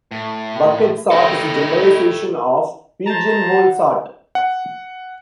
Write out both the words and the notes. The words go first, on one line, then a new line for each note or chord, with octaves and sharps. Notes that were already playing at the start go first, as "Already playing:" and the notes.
Bucket sort is a generalization of pigeonhole sort.
A2
D#4 E4 A4 E5 G5
C5 A5 A#5
F#5
F#5